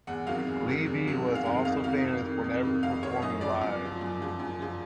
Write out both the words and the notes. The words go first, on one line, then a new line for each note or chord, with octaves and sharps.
Leevi was also famous for never performing live.
E2 F#5
C3 D#3 F#3 F5
E2
C3 D#3 F#3
E2
C3 D#3 F#3
E2
F5
C3 D#3 F#3 F5
F2 F5
C3 D#3 F5
F2
C3 D#3
F2
C3 D#3
F2 F5
C3 D#3 C#5
F#2 D#5
C#3 F3 D5
F#2
C#3 F3
F#2
C#3 F3
F#2
C#3 F3